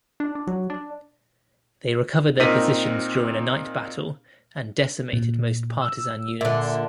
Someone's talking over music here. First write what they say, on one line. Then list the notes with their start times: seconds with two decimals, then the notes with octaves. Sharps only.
They recovered their positions during a night battle and decimated most Partisan units.
0.20 D4
0.35 D4
0.47 F#3
0.70 D4
2.40 A#2 C4 D#4 A#4 B6 D#7
5.13 A#2
5.82 E6
6.41 A#2 D3 E5